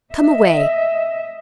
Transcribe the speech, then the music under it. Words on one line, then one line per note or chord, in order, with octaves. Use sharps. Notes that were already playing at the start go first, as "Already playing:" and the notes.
Come away.
D#5 E5